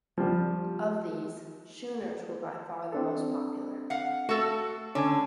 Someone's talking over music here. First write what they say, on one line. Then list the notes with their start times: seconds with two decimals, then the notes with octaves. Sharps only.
Of these, schooners were by far the most popular.
0.18 F3 G3
2.92 C4 D4 A4
3.90 F5 F#5
4.29 A3 F#4 A4 A6
4.95 D3 C#4 D4 G#5